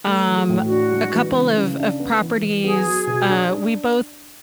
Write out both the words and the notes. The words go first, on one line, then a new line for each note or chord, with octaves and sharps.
um, a couple of of properties, uh, we both
A3 B4
E3
G#4
A2
F#4
D4
G#3
E3
C#3
C#3
D4
B3
E3
E3
B3 G#4
F#3
B2
D4
D4